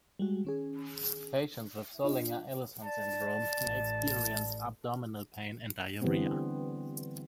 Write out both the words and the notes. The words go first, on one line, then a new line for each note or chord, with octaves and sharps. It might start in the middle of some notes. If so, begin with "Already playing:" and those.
Patients with Zollinger-Ellison syndrome may experience abdominal pain and diarrhea.
G3 G#3 F#4
D#3 C#4 G#4
D4 F4 D#5
D5 A5
A1
D3 E3 G3 B3 C4